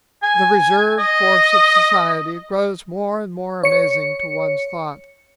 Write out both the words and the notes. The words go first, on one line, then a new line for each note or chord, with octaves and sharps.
The reserve force of society grows more and more amazing to one's thought.
G#5
D#5
C#5 C#7